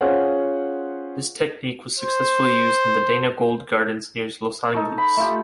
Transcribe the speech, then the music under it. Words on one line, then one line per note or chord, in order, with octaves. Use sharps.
This technique was successfully used in the Dana Gould Gardens near Los Angeles.
C#4 F4 G#4 C5 C#5 F#5
C5
D#4 A4 C#6
B5
A3 F4 G4